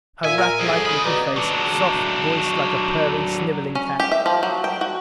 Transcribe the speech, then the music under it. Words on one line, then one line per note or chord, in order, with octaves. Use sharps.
Her ratlike little face, soft voice like a purring, sniveling cat!
A#2 E5 G#5
A#4
F2 G#2 F3 G#4
C#4 B5 D#6
B2 D5 A#5
F#3 D4
C#4
G4
E5
F3
F#3
G5
F#4